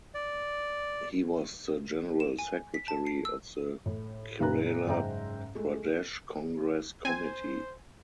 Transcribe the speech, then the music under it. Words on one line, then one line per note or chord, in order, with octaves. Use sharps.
He was the general secretary of the Kerala Pradesh Congress Committee.
D5
E7
G#5
B6
A5
C7
E6
A2
F#1 A#2 B4 A#5 F#6
F#1 G#2 C5 E5 G5 A#5
G#3 A3
C4 C5 G#5